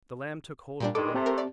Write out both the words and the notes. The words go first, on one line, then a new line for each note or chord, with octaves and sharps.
The lamb took hold of the rope.
A#2 G3 D4
G2 D#3 G#3 D#4 A4 D6
C3 A3 C4 G4 A5
A#4
D5